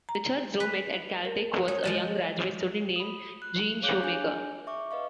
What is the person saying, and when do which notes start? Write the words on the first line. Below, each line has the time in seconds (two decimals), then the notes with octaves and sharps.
Richard's roommate at Caltech was a young graduate student named Gene Shoemaker.
0.09 A#5
0.60 B4
1.25 A#4
1.68 G#4 C#5
1.83 F3 G#3 A5
2.96 B5 D#6
3.42 F#6
3.82 G#4 C#5 F5 D6 F#6 G6
4.03 D4 G#4 G#5 G6
4.67 E5 C#6 D6
4.91 B4 D#5 F5 C#6